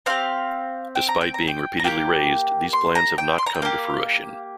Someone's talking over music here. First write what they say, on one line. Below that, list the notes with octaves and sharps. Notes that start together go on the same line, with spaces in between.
Despite being repeatedly raised, these plans have not come to fruition.
C4 G4 F5
G5
A#5
G5
A#5
G5
A#5
A#3 D4 G4 G5
C6
A#5
G5
C6
A#5
G5
A#3 G4 F5